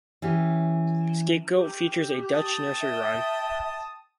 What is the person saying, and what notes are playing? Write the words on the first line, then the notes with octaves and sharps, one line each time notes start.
"Scapegoat" features a Dutch nursery rhyme.
E3 C#4 G4
G4
G5 A5 D#6
E5